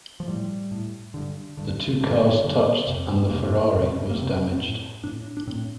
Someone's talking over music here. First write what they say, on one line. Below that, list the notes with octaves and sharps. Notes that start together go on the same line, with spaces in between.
The two cars touched and the Ferrari was damaged.
F3
A2 G3
A2
G2 D3
G2 D3
G2 D3
G2 D3
F2 C3
F2 C3 A#3
F2 C3
A#3
F2 C3 C4
A2
A2 D4
D4
A2 C4